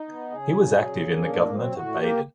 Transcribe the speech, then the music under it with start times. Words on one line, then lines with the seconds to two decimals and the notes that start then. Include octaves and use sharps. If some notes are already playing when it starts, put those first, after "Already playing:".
He was active in the government of Baden.
Already playing: D#4
0.08 B3
0.32 C#3 G#4
0.55 F#3
0.79 C#3
1.02 A#3
1.26 A2 D4
1.50 F#3 C4
1.72 A2 F#4
1.96 A#3 G4